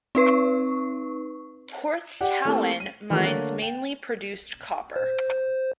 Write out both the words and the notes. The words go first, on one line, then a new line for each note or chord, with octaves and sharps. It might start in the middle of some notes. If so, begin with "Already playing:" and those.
Porthtowan mines mainly produced copper.
C4 D#4 B4 C#6
G4 D5 F#5
A3 A#3 C4 E4 G4 A4
D#7
D#3 E3 G#3 A3 C#4 F#4
D3 A3 A#3 C#5 F#6 A6
G5
C5